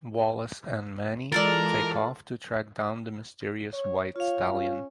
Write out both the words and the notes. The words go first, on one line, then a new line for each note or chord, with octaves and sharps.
Wallace and Manny take off to track down the mysterious white stallion.
E3 G#3 F4 A4 A#4 D5
C#5
F4 C#5 F5
C#4